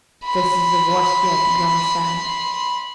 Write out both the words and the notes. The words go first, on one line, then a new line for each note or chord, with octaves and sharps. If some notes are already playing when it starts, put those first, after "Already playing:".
"This is the worst yet!" groaned Sam.
B5 C6